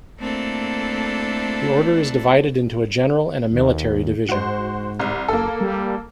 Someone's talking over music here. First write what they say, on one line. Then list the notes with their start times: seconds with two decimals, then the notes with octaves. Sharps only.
The order is divided into a general and a military division.
0.20 A3 A#3 C4 D4 E4 A4
3.52 D#2
4.29 G#2 F#4 C5
4.99 C2
5.28 F#1 A#3 A4
5.61 G3